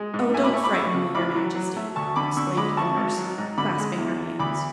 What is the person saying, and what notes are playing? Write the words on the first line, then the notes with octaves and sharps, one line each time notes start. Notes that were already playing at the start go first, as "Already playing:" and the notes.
"Oh! don't frighten me, your Majesty!" exclaimed the nurse, clasping her hands.
Already playing: G#3
G#2
A3 E5 G#5
B5 D6
A3 C#6 E6
B5 D6
A3 C#6 E6
C#3
A1 B5 D6
F#3
F#3
A3
D2 A5 C#6
D3 B5 D6
D3 C#6 E6
G#3 B5 D6
G#1 A5 C#6
G#1
F#3
G#2
D3 B5 D6
G#3
E2
E2
D2 B5 D6